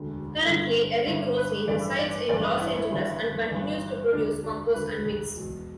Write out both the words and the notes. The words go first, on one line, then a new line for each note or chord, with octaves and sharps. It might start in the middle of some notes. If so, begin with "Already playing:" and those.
Currently, Eric Rosse resides in Los Angeles and continues to produce, compose and mix.
Already playing: E1 D2 D3
G1 G2 D3
G1 G2 D3 E4
B4
A1 G2 E3 D5
D5
A1 G2 E3 D5
B4
E4
E4
G1 G2 E3
G1 G2 E3
E1 D2 D3 D4
D4
E1 D2 D3 B4
E1 E2 B2